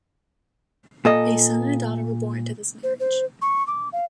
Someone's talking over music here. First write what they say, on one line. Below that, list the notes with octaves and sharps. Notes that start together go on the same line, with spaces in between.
A son and a daughter were born to this marriage.
A#2 A4 D#5
C5
C5
C#6
D6
F5